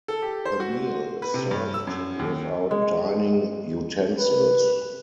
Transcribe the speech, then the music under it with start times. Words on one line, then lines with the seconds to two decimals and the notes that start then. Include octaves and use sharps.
The meal is served without dining utensils.
0.08 A4
0.22 G4
0.45 C5
0.60 F#4
1.22 B4
1.34 C3
1.51 G2
1.74 E6
1.87 F#2
2.19 D#2
2.71 G#3
4.18 B4